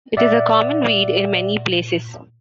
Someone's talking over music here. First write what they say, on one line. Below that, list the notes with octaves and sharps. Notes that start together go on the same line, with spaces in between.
It is a common weed in many places.
A#2 D5 E5 F#5